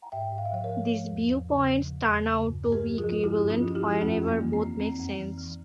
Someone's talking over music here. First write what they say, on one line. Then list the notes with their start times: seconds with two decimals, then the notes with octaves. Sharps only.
These viewpoints turn out to be equivalent whenever both make sense.
0.12 G#2 E5 G5
0.32 G#2
0.38 F5
0.45 E5
0.52 F3 C#5 F5
0.64 A#4 C#5
0.71 F3
0.91 F3
1.10 E2
1.29 E2
1.49 C#3
1.68 F3
1.88 E2
2.08 E2
2.27 C#3
2.47 G2
2.66 G2
2.72 G4 A#4
2.85 F3
2.98 F4 G#4
3.04 F3
3.24 G2 E4 G4
3.43 G2
3.50 C#4 F4
3.62 F3 F4
3.75 E4 G4
3.83 F3
4.01 F2 C#4 F4
4.22 F2
4.28 A#3
4.41 E3
4.53 C4
4.60 E3
4.79 F2 C4
4.99 F2
5.19 E3
5.38 E3